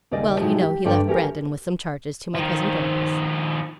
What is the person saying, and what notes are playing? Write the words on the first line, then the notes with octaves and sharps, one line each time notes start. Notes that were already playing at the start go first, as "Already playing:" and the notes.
Well, you know he left Brandon with some charges to my Cousin Dorcas.
D#2 C#3 G3 D5 D#5
A2 C3 F3 F#3 G#3 D#4
G4
G2 D3 A3 D5 G5
E3 C#4 G4 A#4
D#3 F3